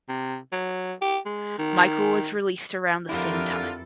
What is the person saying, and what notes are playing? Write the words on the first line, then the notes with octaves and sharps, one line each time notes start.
Michael was released around the same time.
C3
F#3
G4
G#3
D#3
F2 D3 E4 F4 G4 A4 A#4